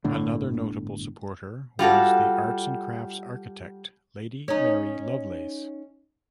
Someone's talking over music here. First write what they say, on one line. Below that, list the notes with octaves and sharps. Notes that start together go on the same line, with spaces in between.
Another notable supporter was the Arts and crafts architect Lady Mary Lovelace.
G1 A2 D3
G3 F4 F#4 A4
C#4 D#4